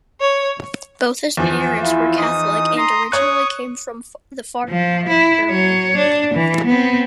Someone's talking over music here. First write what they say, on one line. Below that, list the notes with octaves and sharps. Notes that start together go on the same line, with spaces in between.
Both his parents were Catholic and originally came from the far south of Germany.
C#5
E2 F3
E4 F4
D#4 D#6
A#5 C6 D#6
C#5 C#6 D#6 F#6
F3
E4
F#3 C#5
D4
E3
B3 C4